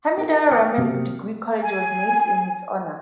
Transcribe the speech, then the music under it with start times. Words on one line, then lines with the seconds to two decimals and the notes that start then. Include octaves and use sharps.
Hamidur Rahman Degree College was named in his honour.
0.17 D#4 A#4
0.51 G5 G#5 D6 D#6 F6 C#7
0.78 C3 A#3 C4 F#4
1.63 G#5